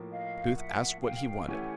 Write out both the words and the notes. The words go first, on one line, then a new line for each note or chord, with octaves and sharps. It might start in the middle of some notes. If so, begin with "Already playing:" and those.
Booth asked what he wanted!
Already playing: A2 F3 A#3
D#5 F5
E5 F#5
F5 G5
E3 A3 C#4 E4 G4 F#5 G#5